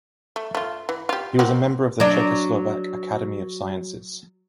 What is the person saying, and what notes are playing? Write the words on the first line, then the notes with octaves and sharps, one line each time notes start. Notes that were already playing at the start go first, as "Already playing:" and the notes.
He was a member of the Czechoslovak Academy of Sciences.
A3
A3 F4
E3
F4 G4
A#3 C4 F#4
F#3 D4